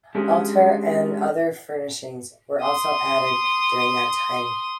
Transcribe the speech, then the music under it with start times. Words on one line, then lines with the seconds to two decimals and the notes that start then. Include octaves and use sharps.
Altar and other furnishings were also added during that time.
0.15 G#3 C#4 D4 G4 G#4
2.62 C6 D#6